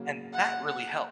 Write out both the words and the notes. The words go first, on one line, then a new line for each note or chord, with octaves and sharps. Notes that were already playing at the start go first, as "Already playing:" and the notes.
And that really helped.
Already playing: C#3 F#3 A#3
F#5
F#5